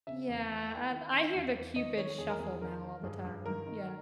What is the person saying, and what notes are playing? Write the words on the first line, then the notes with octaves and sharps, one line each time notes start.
Yeah, I I hear the Cupid shuffle now all the time, yeah.
C#3 E5
E2
E2
E3
D#3
D#3
E2
E2
D#3 D#5
D#3 C#5
E2 G#4
A#4
E2 G#4
D#3 A#4
D#3
G2 G#4
G2
D#3 A#4
D#3